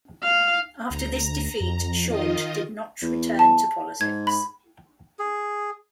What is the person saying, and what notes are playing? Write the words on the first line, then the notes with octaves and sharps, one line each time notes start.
After this defeat, Short did not return to politics.
F5
D2 A#5
F2
D#3 F4 D#5
E2
A5
G#2 G#6
B5
G#4